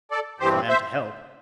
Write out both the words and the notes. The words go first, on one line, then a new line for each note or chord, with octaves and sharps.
"If I am to help...."
A4 D5
G2 E3 C4 G4 C5
C5 E5